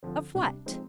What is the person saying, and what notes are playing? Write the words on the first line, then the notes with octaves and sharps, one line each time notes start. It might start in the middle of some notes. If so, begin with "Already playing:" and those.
"Of what?"
D3 F3 C4
C3 G3 D4
F3 G#3 C4 D#4